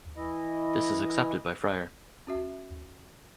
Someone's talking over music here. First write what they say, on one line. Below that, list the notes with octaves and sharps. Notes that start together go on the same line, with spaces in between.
This is accepted by Frier.
E3 E4 D#5
C#4 F#4 E5